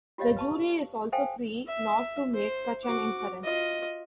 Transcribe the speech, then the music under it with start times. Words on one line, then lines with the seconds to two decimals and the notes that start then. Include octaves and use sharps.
The jury is also free not to make such an inference.
0.18 F4 G4 C#5 D#5 F5
0.37 B4 A5 C#6
1.12 A4 C5 F5 G5 G#5
1.67 E5
2.34 C5
2.84 F#4 D6
3.43 F4 D#5